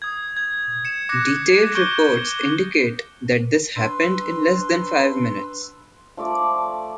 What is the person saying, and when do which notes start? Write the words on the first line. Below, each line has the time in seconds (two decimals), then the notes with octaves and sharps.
Detailed reports indicate that this happened in less than five minutes.
0.02 D#6 G#6
0.37 G#6
0.85 C#7 E7
1.09 D6 F#6 A#6 C#7
1.75 C#6 D6 G6 G#6 D7 G7
3.76 D4 B4 C6 E6
6.17 F3 A3 D5 D6